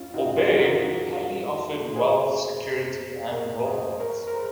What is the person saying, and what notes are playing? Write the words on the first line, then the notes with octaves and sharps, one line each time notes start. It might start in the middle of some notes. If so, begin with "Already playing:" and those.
For Babe, Paley offered wealth, security, and worldliness.
Already playing: C#4 F4
D#4 F#4
F4 G#4
F#4 A#4
G#4 C5
A#4 C#5
C5 D#5
A#4 C#5
A#4
G#4 C5